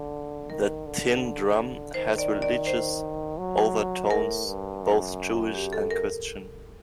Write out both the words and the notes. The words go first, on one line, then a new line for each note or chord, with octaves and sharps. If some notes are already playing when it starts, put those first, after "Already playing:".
"The Tin Drum" has religious overtones, both Jewish and Christian.
Already playing: D3
D#3 A#4
D3
D#3 C5
D5
D5
C5
F#3
A2 A#4
G2
F#2
G4
A4
A#4